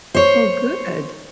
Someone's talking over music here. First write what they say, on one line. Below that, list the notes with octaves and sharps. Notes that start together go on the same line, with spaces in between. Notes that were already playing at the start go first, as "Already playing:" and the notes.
Oh, good.
C5 C#5